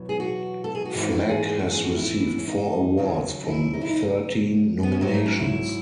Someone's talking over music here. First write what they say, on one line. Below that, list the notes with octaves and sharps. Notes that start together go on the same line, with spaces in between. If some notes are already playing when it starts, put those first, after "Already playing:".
Flack has received four awards from thirteen nominations.
Already playing: E2 B2 F#3
G#4
F#4
A4
G#4
F#4
G#2 E3 E4
F#4
G#4
G#4
F#4
G#4
F#4
E4
C#4
D#4
D#2 C#3 F#3
D#4
E4
D#4
E4
D#4
B3
C#4
G#2 F#3 D#4
A3
C#4
E4